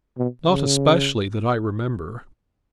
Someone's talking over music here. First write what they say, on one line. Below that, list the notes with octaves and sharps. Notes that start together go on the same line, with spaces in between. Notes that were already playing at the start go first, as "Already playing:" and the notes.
"Not especially, that I remember."
B2
C#3